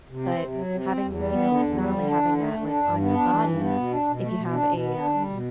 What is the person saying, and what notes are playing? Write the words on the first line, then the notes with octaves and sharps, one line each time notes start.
but having you know, not only having that, like, on your body, if you have a, um
C3
C4
C3
F#3
C3
C4
E2
G3
B3
D3
E2
G3
D3
D4
D3
A3
D3
D4
G2
B3
D4
E3
G2
B3
B2
D4
B2
A3
B2
D4
B2
B3
D4
G3
B2